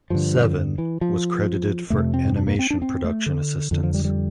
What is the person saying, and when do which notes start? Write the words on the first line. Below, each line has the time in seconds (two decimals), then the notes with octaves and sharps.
Seven was credited for animation production assistance.
0.10 G2 D3 F3
0.78 E3
1.01 F3
1.90 F2 C3 A3
2.14 C4
2.37 D4
2.47 A#3
2.59 C4
2.70 D4
2.82 C4
3.04 A3
3.26 D3
3.71 F2 D3
3.83 F3
3.94 G3
4.05 G3